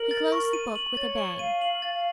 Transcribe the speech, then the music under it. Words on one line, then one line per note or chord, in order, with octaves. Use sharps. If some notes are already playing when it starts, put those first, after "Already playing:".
He closed the book with a bang.
Already playing: A#4 F#7
A6
C#6
D#7
F#7
C#5 A6
C#6
F5 D#7
F#7
F5 A6
F5